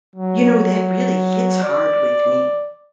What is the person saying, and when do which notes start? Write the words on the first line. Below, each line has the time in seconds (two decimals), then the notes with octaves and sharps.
you know, that really hits hard with me.
0.15 F#3
1.63 D5